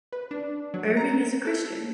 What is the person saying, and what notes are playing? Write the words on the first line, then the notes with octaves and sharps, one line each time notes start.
Erving is a Christian.
B4
D4
F#3
A#5
A4